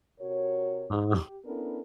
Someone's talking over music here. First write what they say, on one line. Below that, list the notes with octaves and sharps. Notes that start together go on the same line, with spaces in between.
Uh, huh
C3 F#4 A#4 C#5
G4
B3 C#4 D4 E4 A4 A#4